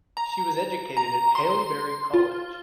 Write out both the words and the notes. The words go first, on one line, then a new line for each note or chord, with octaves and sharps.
She was educated at Haileybury College.
A#5
A#5
C6
F4